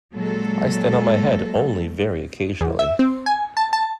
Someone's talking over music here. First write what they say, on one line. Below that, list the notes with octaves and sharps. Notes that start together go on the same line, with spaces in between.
I stand on my head only very occasionally.
A#2 F#3 G#3 A4
E2
E5
C4
G#5
A5
A5